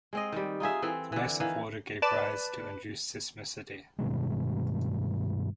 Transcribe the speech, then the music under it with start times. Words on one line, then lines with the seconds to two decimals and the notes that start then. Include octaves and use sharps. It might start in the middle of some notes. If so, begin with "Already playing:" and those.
The mass of water gave rise to induced seismicity.
0.13 G#3 C4 D#5
0.32 D#3 G3
0.60 D#4 F4 G#4 E5
0.82 E3 C4 A4
1.12 D3 E3
1.40 D#3 E3 F5
2.02 B4 D5 A5 E7
3.99 G2 B2 D#3 G#3